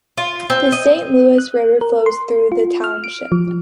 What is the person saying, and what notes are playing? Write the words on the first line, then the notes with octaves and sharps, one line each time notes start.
The Saint Louis River flows through the township.
F4
C4
D#5
F#6
A#4
C6
F4
F6
D7
F3